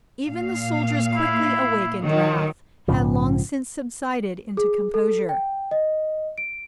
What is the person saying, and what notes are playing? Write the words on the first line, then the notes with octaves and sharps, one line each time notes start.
Even the soldier's quickly awakened wrath had long since subsided into composure.
A#2 F5
E4
D#3 F#3
A#1 G#2 C#3 F3
G#4
A4
G5
D#5
D7